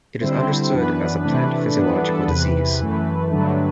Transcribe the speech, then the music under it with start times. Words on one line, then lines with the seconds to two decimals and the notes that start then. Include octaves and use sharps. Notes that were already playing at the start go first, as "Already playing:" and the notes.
It is understood as a plant physiological disease.
0.21 D3 G3 C4 E4 C5
0.73 F#2 E3 B3 D4 B4
1.24 C3 E3 A3 D4 B4
1.76 G2 E3 B3 D4 B4
2.02 A4
2.27 E2 C3 E3 B4
2.79 F#2 E3 A3
3.31 G2 D3 F#3 A3 D4